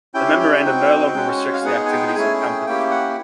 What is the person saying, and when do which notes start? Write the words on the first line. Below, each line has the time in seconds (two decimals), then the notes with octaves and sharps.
The memorandum no longer restricts the activities of a company.
0.14 C#4 E4 G4 G5
0.39 G5
0.65 C4 D#4 F#4
1.14 G#3 C#4 F#4
1.53 F5
1.65 G#3 B3 D#4 G#4 F#5
1.86 G#5
1.90 G5
2.08 G5
2.15 A3 C#4 E4 G#4 G#5
2.41 G5
2.66 A#3 C#4 E4 G4 G5
2.91 F#5